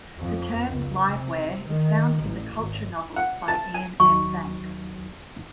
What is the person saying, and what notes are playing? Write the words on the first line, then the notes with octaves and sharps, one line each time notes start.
The term liveware is found in the "Culture" novels by Iain M. Banks.
F2
C#2
C3
D#3
A1
G#1
F#5
A5
G#5
D#2 F#3 D#4 C#6